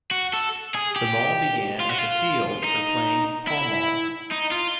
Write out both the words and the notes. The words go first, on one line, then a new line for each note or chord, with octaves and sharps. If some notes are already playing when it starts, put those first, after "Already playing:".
The Mall began as a field for playing pall-mall.
F#4
A4
G#4
G4
F4
F#4
F4
D#4
E4
D#4
F4